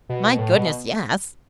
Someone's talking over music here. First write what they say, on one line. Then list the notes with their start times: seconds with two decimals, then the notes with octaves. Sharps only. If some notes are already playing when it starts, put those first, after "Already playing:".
"My goodness, yes!"
0.09 B2
0.38 A2
0.54 B2